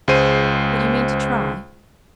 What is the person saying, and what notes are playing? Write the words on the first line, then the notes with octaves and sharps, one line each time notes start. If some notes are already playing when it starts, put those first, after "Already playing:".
"But you mean to try?"
C#2 G#3 C5 D#7